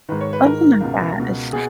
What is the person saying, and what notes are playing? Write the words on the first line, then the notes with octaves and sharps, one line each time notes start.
Oh my gosh.
G#2 D#3 B4
C#5
B4
G#2 D#3 A#4
C#2 B2
C#2 B2
B2 G#4